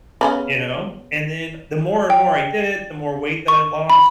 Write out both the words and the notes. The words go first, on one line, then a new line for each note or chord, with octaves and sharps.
You know? And then the more and more I did it, the more weight that I lost.
C#3 B3 C#4
G5
C#6
B5